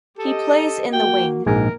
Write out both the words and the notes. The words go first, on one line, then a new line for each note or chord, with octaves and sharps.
He plays in the wing.
G4 A4 D#5
A#3 F#4 G5
A#1 G#2 G#4 A#4 G#5